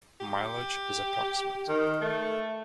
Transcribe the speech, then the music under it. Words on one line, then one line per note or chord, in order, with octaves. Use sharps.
Mileage is approximate.
G4
D#3
A3 A4